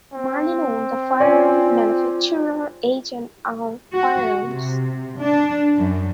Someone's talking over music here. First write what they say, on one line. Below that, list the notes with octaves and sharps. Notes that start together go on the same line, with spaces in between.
Marlin owned the firearm manufacturer H and R Firearms.
C4
F4 C#5 D5 G#5
F#4
C3
D4
F#2